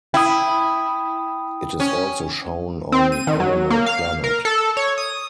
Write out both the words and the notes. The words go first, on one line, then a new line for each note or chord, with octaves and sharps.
It is also shown on Animal Planet.
E4 G5 D#6
C#4
C4
D#7
D#3
F#3
A#3
F5
A#4
A4
C#5
D#6